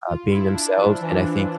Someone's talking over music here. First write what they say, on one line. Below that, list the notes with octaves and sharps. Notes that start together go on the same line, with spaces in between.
uh, being themselves, and I think
F4
E4
D4
F3
E3
E3